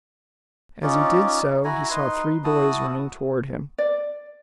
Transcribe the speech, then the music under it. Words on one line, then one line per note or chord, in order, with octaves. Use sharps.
As he did so he saw three boys running toward him.
C#4 D#4 F4 D5
E4 F#4 G#5 A#5
D#4 B4 C6
E4 F#4 A5 D#6
D5